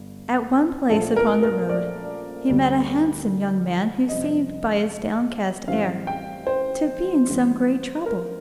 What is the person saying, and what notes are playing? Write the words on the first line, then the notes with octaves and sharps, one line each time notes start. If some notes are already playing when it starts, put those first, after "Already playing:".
At one place upon the road he met a handsome young man who seemed by his downcast air to be in some great trouble.
Already playing: G1 G2
A#1 A#2 A3 C4 A4
A#4
A#4
D5
D2 D3 G3
F2 C3 G3 C4 D#5
A1 A2 G3 C4 F5
G5
C5
A1 A2 G3
A#4